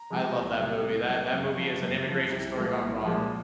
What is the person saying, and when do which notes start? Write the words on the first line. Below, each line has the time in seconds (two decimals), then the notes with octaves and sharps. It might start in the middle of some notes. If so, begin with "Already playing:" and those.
I love that movie, that that movie is an immigration story gone wrong.
Already playing: A#5
0.10 C3 F3 G#3
0.35 C2
0.59 C3 F#3 A#3
0.83 C2
1.08 C3 F#3 A#3
1.33 F#2
1.57 C#3 F3
1.82 F#2
2.06 C#3 F3
2.30 C2
2.54 A#2 F3 G#3
2.79 C2
3.04 A#2 F3 G#3